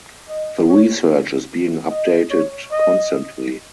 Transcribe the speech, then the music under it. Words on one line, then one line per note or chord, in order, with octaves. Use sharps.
The research is being updated constantly.
D#5
C#5
D#5
C#5
D#5